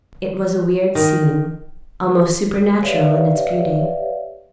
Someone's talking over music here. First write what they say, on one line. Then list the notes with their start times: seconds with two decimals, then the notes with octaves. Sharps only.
It was a weird scene, almost supernatural in its beauty.
0.95 D#3
2.82 G4 B4 C#5 D5 E5 F5